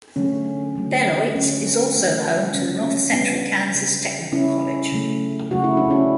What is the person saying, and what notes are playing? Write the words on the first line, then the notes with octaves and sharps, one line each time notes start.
Beloit is also home to the North Central Kansas Technical College.
D3 F#3 A3 C#4
D3 F#3 A3
D3 F#3 A3 C#4
D3 F#3 A3
C#3 G3 C#4
C#4
C#3 G3 B3 D4
C#3 G3
C#3 G3 C#4 E4
C#3 F#3 A3
C#3 F#3 A3 F#4
E4
D4
C#4 E4